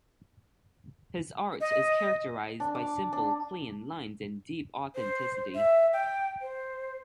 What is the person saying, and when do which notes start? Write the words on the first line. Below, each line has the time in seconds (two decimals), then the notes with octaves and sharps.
His art is characterised by simple, clean lines, and deep authenticity.
1.61 D#5
2.60 D4
2.75 D6
3.13 D4
4.95 C5
5.55 E5
5.93 G5
6.41 C5